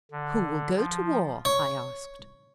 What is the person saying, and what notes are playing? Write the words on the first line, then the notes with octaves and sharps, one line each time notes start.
"Who will go to war?" I asked.
D3
F3
C#5